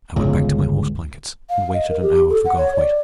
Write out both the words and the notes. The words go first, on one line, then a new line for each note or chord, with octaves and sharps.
I went back to my horse blankets and waited an hour for Garthwaite.
G1 C#2
F5
D#5
A#4
G4
A4
F#5
C#5
D5